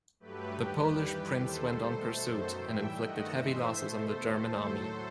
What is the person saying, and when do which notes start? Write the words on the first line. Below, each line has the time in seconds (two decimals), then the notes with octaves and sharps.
The Polish prince went on pursuit, and inflicted heavy losses on the German army.
0.20 G2 F#3 A3 G4 B4
0.59 D#2 D#3 G3 G4 B4
1.00 G2 E3 G3
1.38 D#2 D#3 G3 A4 C5
1.77 B2 A3
2.18 F#2 D#3 F#3 A3
2.57 A2 E3 G3 E5 G5
2.96 G2 D#3 A3 D#5 F#5
3.36 G2 E3 A3 C5 E5
3.75 B2 A3 A4 C5
4.15 D#2 D#3 A3
4.54 A2 F#3 A3 A4 C5